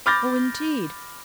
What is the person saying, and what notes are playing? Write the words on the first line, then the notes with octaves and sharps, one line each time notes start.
'Oh, indeed!
B5 D6 F6 G6 A6 A#6